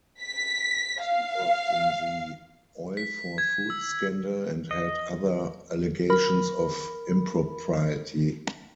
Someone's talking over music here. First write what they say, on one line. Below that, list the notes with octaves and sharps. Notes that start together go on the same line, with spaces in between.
He was involved in the oil-for-food scandal and had other allegations of impropriety.
B6
F5
B6
G#6
E6
D#5
A#4 B5